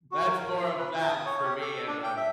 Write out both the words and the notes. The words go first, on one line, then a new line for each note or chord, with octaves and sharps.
That's more of that for me, and, um,
F#4
A#4
F4
B4
E4
D#6
C#5
G4
A4
D4
G5
E5